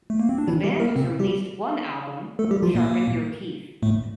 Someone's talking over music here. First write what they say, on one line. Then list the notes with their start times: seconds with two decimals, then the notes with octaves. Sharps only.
The band has released one album, "Sharpen Your Teeth".
0.10 A3
0.20 A#3
0.29 C4
0.38 D4
0.48 E3 E4
0.64 G3 G4
0.80 A#3 A#4
0.96 C3 C4
1.19 G3 G4
2.39 A3 A4
2.51 G3 G4
2.63 F3 F4
2.75 A#2 A#3
3.82 A2 A3